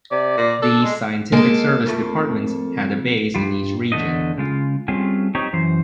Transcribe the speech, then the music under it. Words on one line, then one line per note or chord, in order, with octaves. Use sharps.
These Scientific Service Departments had a base in each Region.
C3 D5
A#2
D4 A4
G#3
G#3 A#3 A4
F2 A3
G2 G3 F4
E2 D3 D#3 A3 E4 D#5
C#3 G#3 F4
G3 A3 C4 C#4 F4 G#4
C4 D#4 G4 C#5
F#2 E3 C5